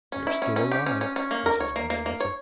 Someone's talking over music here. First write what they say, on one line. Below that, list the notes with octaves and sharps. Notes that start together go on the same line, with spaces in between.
"We are still alive," was his only answer.
C#4
E4
C#4
C#4
G4
C#4
C#4
C#4
A#3
A#4
C#5
A#3
A#3
A#3
C#5